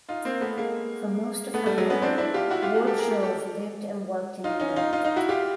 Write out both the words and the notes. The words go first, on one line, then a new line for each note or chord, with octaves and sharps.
For most of her career Ward Jouve lived and worked in England.
D#4 F4
A#3 C4
A3 B3
G#3 A#3
A3 B3
G3 A3
F#3 G#3
B3 C#4
C4 D4
D4 E4
F4 G4
E4 F#4
F4 G4
F#4 G#4
G4 A4
G#4 A#4
G4 A4
G4 A4
D#4 F4
C#4 D#4
D#4 F4
D#4 F4
D#4 F4
E4 F#4
F4 G4